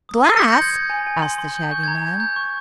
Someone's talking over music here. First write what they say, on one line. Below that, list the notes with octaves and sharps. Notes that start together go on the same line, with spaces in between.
"Glass?" asked the Shaggy Man.
D#6
C6 C7 D#7
D#6 A#6 C#7
G6 A#6
C6 G#6
G6
G#5
G#5
C6
C6
G6
C#6 G6
G#6
A#5
G#6
A#5 G6
A#5 G6
C#6